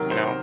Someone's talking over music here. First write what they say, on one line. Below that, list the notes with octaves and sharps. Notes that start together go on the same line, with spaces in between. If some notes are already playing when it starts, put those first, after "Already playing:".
You know?
Already playing: C3 D#3 F#3 A#4
C5